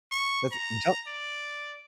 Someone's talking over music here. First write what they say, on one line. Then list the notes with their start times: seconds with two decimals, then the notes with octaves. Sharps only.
That's Jo
0.12 C#6
0.52 A#5
1.07 D5